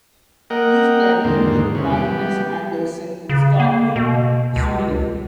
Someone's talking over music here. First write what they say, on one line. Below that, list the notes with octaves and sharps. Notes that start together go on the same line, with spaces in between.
He studied with Magnus Andersson in Stockholm, Sweden.
A#3 A#4 D#5 F#5 G5
E2 G#2 D3 D#3 A#3 C4
C3 E3 B3 C#4
G3 B3 G4
C#3
A#3
B2
C#2